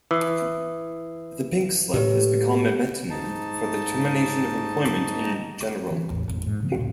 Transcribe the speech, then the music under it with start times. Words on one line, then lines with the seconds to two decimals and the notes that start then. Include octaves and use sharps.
The "pink slip" has become a metonym for the termination of employment in general.
0.11 E3 D#6 C7
1.94 A2 G4 B4
3.10 G#2 D#4 A5
5.91 E3
6.10 A1 E2
6.28 G#1 F2 A#2
6.46 G#2
6.63 C#3 F3 A#3 B3
6.76 D2 G2 A#2